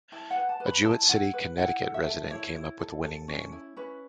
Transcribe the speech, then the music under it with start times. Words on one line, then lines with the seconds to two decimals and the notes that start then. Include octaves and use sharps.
A Jewett City, Connecticut resident, came up with the winning name.
0.12 E4 A5
0.31 F#5
0.36 B4
0.49 A5
0.60 B4
0.66 B5
0.85 E4 A5
1.09 E4 F#5
1.34 B4
1.58 E4 F#5
1.82 A4
1.94 E5
2.07 A4
2.30 E4 C#5
2.55 E4
2.79 A4
3.04 A4
3.28 C#4
3.52 E4
3.77 C#4 B4